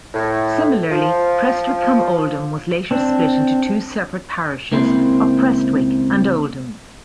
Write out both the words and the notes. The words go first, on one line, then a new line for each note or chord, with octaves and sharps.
Similarly, Prestwich-cum-Oldham was later split into two separate parishes of Prestwich and Oldham.
A2
F3
C4 D4
C#2 A#3 C4 E4 C5